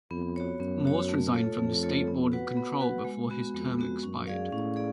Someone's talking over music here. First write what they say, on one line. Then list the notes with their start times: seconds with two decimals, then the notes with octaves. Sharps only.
Morse resigned from the State Board of Control before his term expired.
0.11 F2 B3
0.36 F#4 C#5
0.60 F#2 B3
0.85 F#4 C#5
1.09 A3
1.34 F4 A4 C#5
1.58 F2 A3
1.83 F4 A4 C#5
2.07 B3
2.32 F#4 B4 F#5
2.57 B3
2.81 F#4 B4 F#5
3.05 G#3
3.30 B3 F#4
3.54 F2 G#3
3.78 B3 F#4
4.03 F#2 C#4
4.27 G#4 D5 F5
4.52 A2 C#4
4.76 G#4 D5